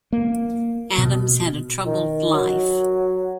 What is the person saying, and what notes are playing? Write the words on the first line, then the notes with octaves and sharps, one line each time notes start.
Adams had a troubled life.
A#3
B2
D#3
F#3